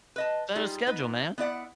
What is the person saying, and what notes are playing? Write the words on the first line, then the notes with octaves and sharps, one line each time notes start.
Set a schedule, man.
B4 D#5 A5
G3 D#4 F4 G#4
B3 D#4 B4
B3 E4 D5 F#5